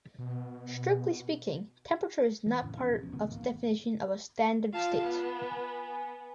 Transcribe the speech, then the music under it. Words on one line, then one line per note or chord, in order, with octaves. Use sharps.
Strictly speaking, temperature is not part of the definition of a standard state.
B2
E3
F2 A2 C#3
A#1 C3 F3 C#4
E1 B2
C#2 C3 D#3 B3
A1 G#2 A#3
F4 F5 A5
B3
G#5